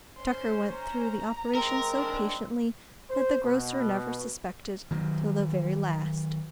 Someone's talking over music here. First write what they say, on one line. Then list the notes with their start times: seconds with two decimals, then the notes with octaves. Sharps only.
Tucker went through the operation so patiently, that the grocer never suspected till the very last.
0.17 C#4 C5 C6
0.73 A#5
1.55 G#3 C4 A#4
1.91 D#3 E3 D4
3.11 C5
3.44 B2
4.91 D#3 F#3